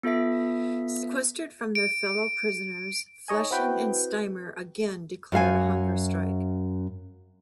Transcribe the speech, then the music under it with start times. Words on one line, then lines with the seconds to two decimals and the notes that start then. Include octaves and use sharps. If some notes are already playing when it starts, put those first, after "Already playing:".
Sequestered from their fellow prisoners, Fleshin and Steimer again declared a hunger strike.
0.03 B3 F4 A4 E5 B6
1.75 D7
3.28 D#4 C#5 D#5 G#5
3.50 C4 E4 F#4 B4 G5
5.32 F#2 F#4 F5 G#5